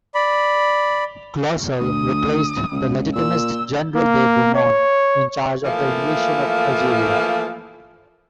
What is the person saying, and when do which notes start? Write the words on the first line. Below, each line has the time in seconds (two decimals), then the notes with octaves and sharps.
Clausel replaced the Legitimist General de Bourmont in charge of the invasion of Algeria.
0.15 D5 B5
1.81 D2 D#6
2.72 C#2
3.15 A#2 E6
3.95 A#3
4.55 C#5
5.64 E3 F3 A3 A#3